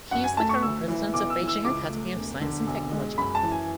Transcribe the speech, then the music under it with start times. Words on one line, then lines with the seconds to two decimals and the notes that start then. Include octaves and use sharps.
He is the current President of Beijing Academy of Science and Technology.
0.11 F#2 F#5
0.24 G#5
0.37 A3 A5
0.49 C#6
0.62 D2 E6
0.88 E3
1.13 B1 D6
1.30 E6
1.39 E3
1.47 E6
1.64 C#2 D6
1.90 A3
2.15 E1
2.41 D3
2.67 B1
2.92 G#3
3.17 F#2 B5
3.35 A5
3.43 E3
3.52 G#5